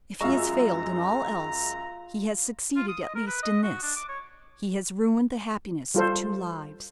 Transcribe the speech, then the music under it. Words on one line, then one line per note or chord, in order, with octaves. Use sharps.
If he has failed in all else, he has succeeded at least in this: he has ruined the happiness of two lives.
F#2 G#3 F4 E5 A#5 C#6
F4
D#6
D#5
A#4
B4
D#5
F#4
D4
D6
C#5
G3 F4 A4 C5